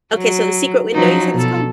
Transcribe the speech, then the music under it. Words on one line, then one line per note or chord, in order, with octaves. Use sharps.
Okay, so The Secret Window, you said it's called?
F#3
F3 F#3 D#4
B2 A4